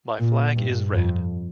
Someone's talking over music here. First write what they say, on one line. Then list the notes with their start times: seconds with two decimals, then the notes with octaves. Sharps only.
My flag is red.
0.19 A#2
0.56 G2
0.93 F2